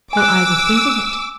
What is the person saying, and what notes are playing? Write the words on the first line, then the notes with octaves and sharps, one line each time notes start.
"Well, I will think of it."
G#5 D6 E6 F#6